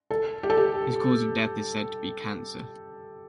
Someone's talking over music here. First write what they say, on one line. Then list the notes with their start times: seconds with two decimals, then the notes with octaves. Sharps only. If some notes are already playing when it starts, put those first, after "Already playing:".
His cause of death is said to be cancer.
0.11 A4
0.43 G4
0.50 A4
0.57 G4